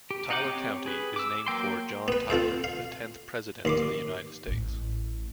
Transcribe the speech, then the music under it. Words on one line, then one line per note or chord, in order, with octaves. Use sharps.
Tyler County is named for John Tyler, the tenth President of the United States.
G4
D#4 F#5 G5 D6
C4 G4 C#5
G#4 B4
D6 E6
F#3 A#3 G5 C6
B3 B4
C4 F4 A4 C5
F5
D#2 C6 D6
A1 A2